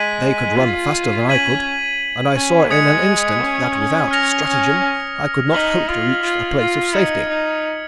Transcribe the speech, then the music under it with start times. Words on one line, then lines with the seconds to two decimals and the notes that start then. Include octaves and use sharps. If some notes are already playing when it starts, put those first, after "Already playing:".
They could run faster than I could, and I saw in an instant that without stratagem I could not hope to reach a place of safety.
Already playing: G#3 G#6 B6 D#7 F#7
0.58 F4
1.29 C#4 G#6 B6 D#7 F#7
2.35 C#4
2.70 G#3 D#6 G#6 C#7
3.41 C#4
4.11 F6 A#6 C#7 F7
4.47 C#4
5.52 D#4 F6 B6 F#7
5.88 F4
6.23 F4
6.59 F4
6.93 D#4 D#6 G#6 C#7 F#7
7.29 D#4